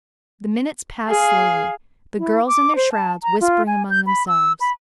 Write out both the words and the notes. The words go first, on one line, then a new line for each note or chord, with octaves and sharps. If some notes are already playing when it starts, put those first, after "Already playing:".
The minutes passed slowly, the girls in their shrouds whispering among themselves.
G#4 F5
E4
D6
C5
A5
A#5
F4
G#5
G6
B5
E6
B5